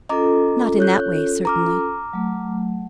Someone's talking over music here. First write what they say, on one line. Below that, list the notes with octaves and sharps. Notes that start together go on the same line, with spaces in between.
"Not in that way, certainly."
C#4 F4 A4 D#5 A#5 D6
C#5 F#6 G6
A#5 D6 F6
F#3 A3